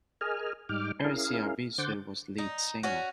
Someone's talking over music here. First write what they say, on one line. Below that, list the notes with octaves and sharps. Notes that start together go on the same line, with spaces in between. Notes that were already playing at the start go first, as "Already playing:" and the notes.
Ersi Arvisu was lead singer.
G#4 A#4 D#5 G#5 F6
G#2 G3 D#4 G5 D6 F6
C#4 E4 G#4 A#4 F5
D3 C5 F#5 D6 G6 A6
D#4
C#4 F#4